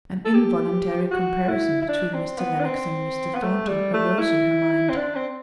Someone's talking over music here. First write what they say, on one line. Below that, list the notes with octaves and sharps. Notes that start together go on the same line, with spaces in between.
An involuntary comparison between Mr. Lennox and Mr. Thornton arose in her mind.
A4
G4
F#4
E4
E4
D4
C4
B3
D4
C4
B3
A3
G3
A3
E4
C4
D4
C4